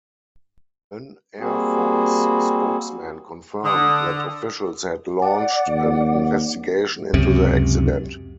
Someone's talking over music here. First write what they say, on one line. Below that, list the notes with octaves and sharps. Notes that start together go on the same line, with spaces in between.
An air force spokesman confirmed that officials had launched an investigation into the accident.
G3 A#3 C4 F#4 G#4
D3 D#6
D5 F#5
D#2
C#2 F#2 C3